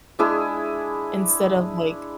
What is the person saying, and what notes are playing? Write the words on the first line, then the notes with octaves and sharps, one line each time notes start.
Instead of like,
G#3 D4 E4 G#4